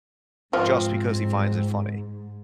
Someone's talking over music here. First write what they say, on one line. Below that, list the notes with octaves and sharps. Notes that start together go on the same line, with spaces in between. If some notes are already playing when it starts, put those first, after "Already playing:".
just because he finds it funny.
G#2 F3 C4